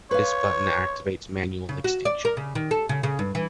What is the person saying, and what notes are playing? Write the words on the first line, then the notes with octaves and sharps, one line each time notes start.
This button activates manual extinction.
B4 C#5 F5
C#3
F#4
D5
A#4
C#3
D#3
A4
C#3
C#3
G2
E3